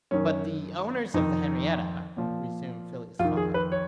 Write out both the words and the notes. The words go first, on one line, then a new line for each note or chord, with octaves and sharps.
"But the owners of the Henrietta--" resumed Phileas Fogg.
F#2 D#3 C#4
F2 D#3 D#4
A#2 F3
F2 F4
D#3
G#4
B4
C#5